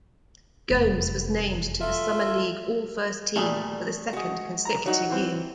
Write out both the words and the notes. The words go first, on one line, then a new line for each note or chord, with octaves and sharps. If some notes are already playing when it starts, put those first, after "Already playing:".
Gomes was named to the summer league all-first team for the second consecutive year.
F1 E2
F4 A4 E5
A#2 G3 A3 G#4
G#3 F#4
A#5
F#3 D#4 C#5 F#5
E3 C4